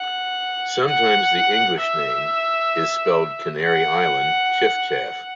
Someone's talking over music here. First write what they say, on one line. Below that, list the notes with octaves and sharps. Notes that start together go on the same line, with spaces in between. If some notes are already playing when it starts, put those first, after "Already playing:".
Sometimes the English name is spelled Canary Island chiffchaff.
Already playing: F#5
F#5
E5
F#5